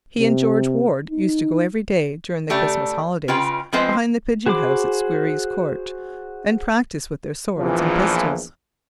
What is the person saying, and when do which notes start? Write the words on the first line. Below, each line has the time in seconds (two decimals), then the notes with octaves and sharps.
He and George Warde used to go every day during the Christmas holidays behind the pigeon-house at Squerryes Court and practise with their swords and pistols.
0.20 C3
1.11 D#4
2.50 C#3 A3 G4 D5
3.28 C#3 F4 B4 D#5 G5
3.73 F3 G#3 C4 B4 D#5
4.46 F#4 G#4 C5 B5 D6
7.58 A#1 E2 A#2 E3 F3